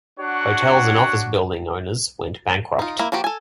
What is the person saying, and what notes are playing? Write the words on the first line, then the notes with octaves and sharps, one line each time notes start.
Hotels and office building owners went bankrupt.
D4 F#4 C#5 F#5
D#4 F4
A#3 E4
F3 A#3 F#4 G4
A4 G#5